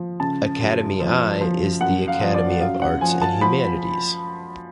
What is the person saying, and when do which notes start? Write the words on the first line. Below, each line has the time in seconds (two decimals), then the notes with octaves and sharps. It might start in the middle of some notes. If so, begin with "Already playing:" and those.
Academy I is the Academy of Arts and Humanities.
Already playing: F3
0.20 C#3 A5
0.60 F#2
1.00 F3
1.41 F3
1.81 F#2 F#5
2.08 F5
2.21 F3
2.35 D5
2.61 F#2 F5
2.82 F#5
3.01 F3 G#5
3.22 A5
3.41 F3 B5